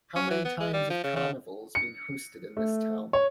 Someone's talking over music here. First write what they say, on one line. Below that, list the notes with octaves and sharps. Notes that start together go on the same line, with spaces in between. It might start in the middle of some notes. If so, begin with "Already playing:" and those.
How many times have carnivals been hosted in this town?
C#4
E3
B3
G#3
G3
F3
C#3
C#3
C#7
A3
C#5